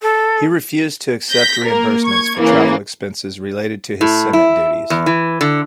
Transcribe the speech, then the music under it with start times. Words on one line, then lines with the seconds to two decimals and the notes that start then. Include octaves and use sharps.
He refused to accept reimbursements for travel expenses related to his Senate duties.
0.02 A4
1.30 G6 A#6 B6
1.64 A#3 A#4
2.05 C#6 G#6
2.37 C#3 E3 A#3
4.01 A2
4.33 E4
4.90 E2
5.06 E3
5.41 D3